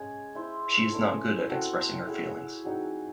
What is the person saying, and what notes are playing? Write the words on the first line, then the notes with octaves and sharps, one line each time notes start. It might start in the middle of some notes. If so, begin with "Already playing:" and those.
She is not good at expressing her feelings.
Already playing: G#3 C#4 G#4
E4 C5 E5
C#4 E4 A4
C4 F#4 A4
E4 G#4 C#5
F#3 C4 D#4 G#4